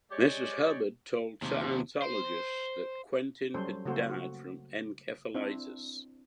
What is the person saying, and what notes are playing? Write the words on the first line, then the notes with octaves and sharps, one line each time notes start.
Mrs. Hubbard told Scientologists that Quentin had died from encephalitis.
G#3 G4 C#5 D5
D#2 C3
C5
F#3 G3 C#4 A4 C5
C#3 A3 A#3 F#4 C5
F#4
C4 D4 E4